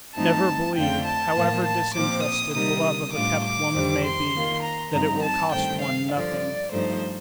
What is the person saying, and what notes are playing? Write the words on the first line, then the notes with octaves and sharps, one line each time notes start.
Never believe, however disinterested the love of a kept woman may be, that it will cost one nothing.
G2 F3 A3 C4 D#4 A5
F2 D3 A3 C4 F4 G5
A5
A2 F3 A#3 F4
A5
A#2 F3 C4 D6
D#6
C3 G3 A#3 D#4 D#6
A2 G3 D4 F4 D6
D6
F2 D#3 G3 C4
C6
D#3 A#3 F4
A#5
G2 F3 C4 D#4 A#5
A5
G2 D#3 A3 C4 G5
F5
G2 D3 F3 D5
G2 F3 A3 D#4 C5